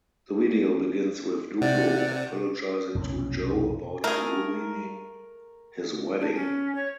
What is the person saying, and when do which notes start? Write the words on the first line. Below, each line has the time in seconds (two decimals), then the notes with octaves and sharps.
The video begins with Diplo apologizing to Joe about "ruining" his wedding.
1.61 C3 D5 F#5
2.95 F1 B1 F#2 C#4
4.04 A3 G#4 A#4
6.21 D4
6.35 C#4
6.75 C#5